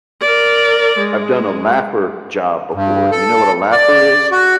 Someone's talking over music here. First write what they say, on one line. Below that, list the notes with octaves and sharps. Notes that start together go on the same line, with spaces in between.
I've done a laugher job before. Do you know what a laugher is?
A#4 D5
G#3
G2
A4
D5
F#4